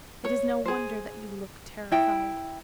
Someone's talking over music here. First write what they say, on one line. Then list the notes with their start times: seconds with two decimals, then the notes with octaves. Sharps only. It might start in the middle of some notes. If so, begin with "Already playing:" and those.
It is no wonder that you look terrified.
0.25 C#5
0.65 G#4 C5
1.92 E4 G5